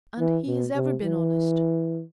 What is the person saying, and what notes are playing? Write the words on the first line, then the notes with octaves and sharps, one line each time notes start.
And he has ever been honest.
E3
B2
C3
E3